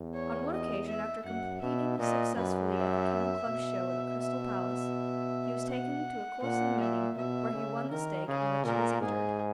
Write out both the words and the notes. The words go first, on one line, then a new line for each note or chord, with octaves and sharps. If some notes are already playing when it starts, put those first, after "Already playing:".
On one occasion after competing successfully at the Kennel Club Show at the Crystal Palace, he was taken to a coursing meeting where he won the stake in which he was entered.
Already playing: E2
C#5
D#5
E5
F#2 F#5
B2 E5
A#2 D#5
F#2 B4
E5
B2
E5
F#5
A#2 F#5
E5
B2 E5
C#3
D#3 A#4
C#3 G#4
A#2 A#4
G#2 G#4